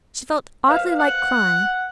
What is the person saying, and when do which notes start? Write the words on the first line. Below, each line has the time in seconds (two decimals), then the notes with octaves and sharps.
She felt oddly like crying.
0.68 B4 C5 F5
0.99 F#5